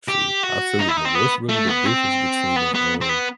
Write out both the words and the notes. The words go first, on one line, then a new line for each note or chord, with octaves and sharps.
True. I feel it though. What's really the difference between a, um,
G4
F#4
D#4
E4
D#4
C4
B3
A3
B3
C4
B3
B3
C4
B3